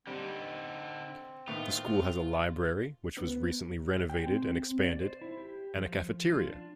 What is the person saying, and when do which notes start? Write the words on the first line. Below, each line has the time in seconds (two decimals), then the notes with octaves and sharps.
The school has a library, which was recently renovated and expanded, and a cafeteria.
0.07 D3 G3 C4 D#4
1.47 A2 D#3 B3 F4
3.17 B3
4.10 G5
4.27 C4
4.80 D5
5.01 C5
5.21 E4
5.37 G4
5.76 F3
6.30 F4
6.47 D4